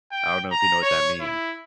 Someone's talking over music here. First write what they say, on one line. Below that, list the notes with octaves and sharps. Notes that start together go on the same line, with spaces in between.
I don't know if you know what that means
G5
A#5
C#5
E4